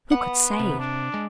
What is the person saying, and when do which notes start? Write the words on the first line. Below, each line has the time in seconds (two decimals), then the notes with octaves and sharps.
Who could say?
0.12 B3 F#5
0.59 C3
0.79 D4
1.14 G#3